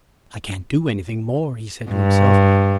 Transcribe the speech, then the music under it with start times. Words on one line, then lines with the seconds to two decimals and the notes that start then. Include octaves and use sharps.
"I can't do anything more," he said to himself.
1.91 G2